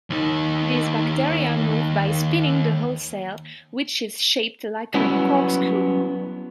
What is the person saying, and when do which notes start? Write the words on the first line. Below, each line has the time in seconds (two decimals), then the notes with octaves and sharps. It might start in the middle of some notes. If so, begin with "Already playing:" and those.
These bacteria move by spinning the whole cell, which is shaped like a corkscrew.
0.10 D#2 D#4
4.94 F#3 G3 B3 C#4 E4